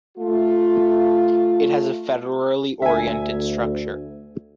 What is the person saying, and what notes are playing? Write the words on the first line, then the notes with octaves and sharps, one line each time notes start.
It has a federally orientated structure.
A3 F4
D2 E5 G#5